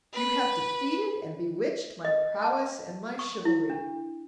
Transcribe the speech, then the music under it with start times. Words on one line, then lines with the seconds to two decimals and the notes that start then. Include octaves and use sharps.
You have defeated and bewitched my prowess and my chivalry.
0.14 B4
2.05 D#5
2.42 A5
3.19 C#6
3.45 E4
3.70 D4